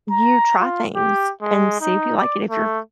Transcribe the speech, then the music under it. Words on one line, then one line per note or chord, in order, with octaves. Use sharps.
you try things and see if you like it, if you're
A#5
F4
G4
G#3
D#4
D5
A3